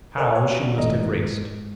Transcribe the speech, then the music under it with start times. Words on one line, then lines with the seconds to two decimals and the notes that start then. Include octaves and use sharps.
How she must have raced!
0.17 A4 A#4 C5 D5 D#5 G#5
0.35 B4 C#5 D5 F5 F#5
0.78 G1 B2 E3 A3 D#5 A#5
1.00 G#2 D#3
1.37 G#2